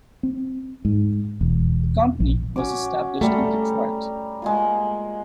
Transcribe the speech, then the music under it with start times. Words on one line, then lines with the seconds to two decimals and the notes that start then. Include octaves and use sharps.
The company was established in Detroit.
0.23 C4
0.85 G#2
1.41 E1
2.20 A#1
2.56 C#4 F#4 D6
3.21 G3 A3 A#4
4.42 G#3 A#3 F4